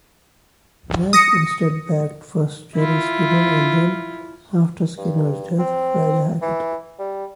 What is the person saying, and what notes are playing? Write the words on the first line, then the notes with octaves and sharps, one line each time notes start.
Nash instead backed first Jerry Skinner and then, after Skinner's death, Fred Hackett.
D#6 A#6 C#7
E4 F4
G2
C4
E3
G3